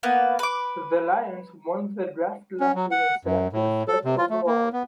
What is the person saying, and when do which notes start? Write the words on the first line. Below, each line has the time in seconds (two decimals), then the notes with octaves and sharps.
The Lions won the draft lottery and selected first overall.
0.03 A#3 B3 B4
0.39 B4 D6
2.60 C#4
2.75 F#3
2.91 F#5
3.25 F#2
3.53 A2
3.88 A4
4.05 C3
4.18 F4
4.30 A3
4.47 A#3
4.73 B3